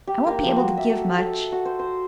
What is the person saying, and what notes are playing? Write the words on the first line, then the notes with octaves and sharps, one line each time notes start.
I won't be able to give much.
G4
A#3
F3
F#4
E5
A4
A4
F#4
C5
C5